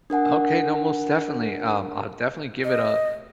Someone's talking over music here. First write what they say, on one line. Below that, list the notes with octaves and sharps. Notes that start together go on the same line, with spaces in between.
Okay, no, most definitely. Um, I'll definitely give it, a
D4 A#4 F#5 G#5
D#5